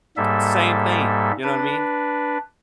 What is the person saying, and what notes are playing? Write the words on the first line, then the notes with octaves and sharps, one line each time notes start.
same thing, you know what I mean?
G#2 G3 A#3 A4 E5
D4 B4